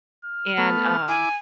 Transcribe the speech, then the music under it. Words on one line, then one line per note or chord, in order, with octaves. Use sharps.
And, um,
F6
A3 B3
E4 G#5 D6